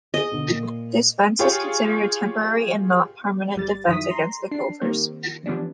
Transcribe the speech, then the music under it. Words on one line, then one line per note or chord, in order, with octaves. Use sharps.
This fence is considered a temporary and not permanent defense against the gophers.
G#4 D#5
B2 D3
A#2
F4 G4 G#4 C#5
G1 G3 A6
F#2 D#3 F#3 E4 D#6 B6
A#5 C6
D4 C7
D#3 G3 A#3 C4
E3 F3 G3 B3 C#4 D4